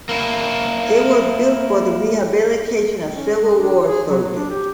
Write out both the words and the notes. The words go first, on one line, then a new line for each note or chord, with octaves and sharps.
It was built for the rehabilitation of Civil War soldiers.
A#3 E4
C#4
G#3
D4
G#4
F#3
F#3
D4
G4